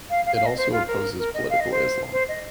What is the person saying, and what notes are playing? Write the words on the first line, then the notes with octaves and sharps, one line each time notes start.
It also opposes political Islam.
F5
F5
F5
D#5
C5
F4
A#4
A#4
D#5
F5
D#5
C5
C5
D#5